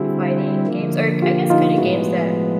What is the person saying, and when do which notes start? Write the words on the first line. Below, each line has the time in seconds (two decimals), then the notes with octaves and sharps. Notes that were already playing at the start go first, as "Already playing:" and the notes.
fighting games or I guess kinda games that
Already playing: D3 G3 C4 E4 F#4 G#4
0.67 D3 F3 A#3
1.22 F4 G4
1.50 D#4 F4
1.78 A2 F3 G#3 B3 E4 F#4